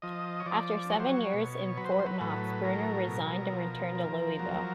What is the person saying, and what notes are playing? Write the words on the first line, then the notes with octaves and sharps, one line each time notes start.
After seven years in Fort Knox, Bruner resigned and returned to Louisville.
F3 D#5
C#5
F3 D5
F#3 C#5
C5
C#5
B2
F#3 B4
C5
B4
C5
B4
A2 B4
F#3 A#4
B2
F3
F3
F#3